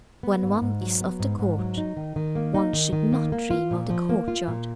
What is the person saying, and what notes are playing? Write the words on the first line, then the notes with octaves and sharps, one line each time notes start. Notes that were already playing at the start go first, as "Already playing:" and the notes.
When one is of the court, one should not dream of the courtyard.
B3
G#2
G#2
F#3
B3
G#2
G#2
F#3
D#4
D#3
D#3
A#3
D#4
D#3
D#3
A#3
A#3
F4
A#2
F3
A#3
F4
A#2